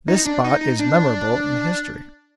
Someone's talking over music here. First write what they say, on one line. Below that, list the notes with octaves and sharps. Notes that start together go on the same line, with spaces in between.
This spot is memorable in history.
D#4
D4
D#4
D#4
D4